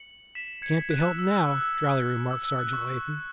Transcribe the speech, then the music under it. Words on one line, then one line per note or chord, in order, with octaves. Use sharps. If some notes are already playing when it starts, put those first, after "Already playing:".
"Can't be helped now," dryly remarked Sergeant Latham.
Already playing: C#7 F#7
B6 E7
G#6 C#7
B6
F#6
E6
E6
E6
F#6
E6
E6
E6
F#6
C#6